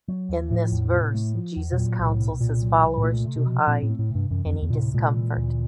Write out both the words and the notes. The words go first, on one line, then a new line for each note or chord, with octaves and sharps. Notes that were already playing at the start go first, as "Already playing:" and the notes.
In this verse Jesus councils his followers to hide any discomfort.
F#3
D#2
A2 F3
E2
C3
A3
F3
E2
B2
A#2 F#3
C2 A#2
A2
B2
C2 A#2
F#3
C2
A2
A#2 A3
C3
B2
F3
A#2 C4
A2
A3
A2
G2 C3
F#2 E3
F2
D2
E2
A#2
C3
A2
A#2 G#3
E3
D2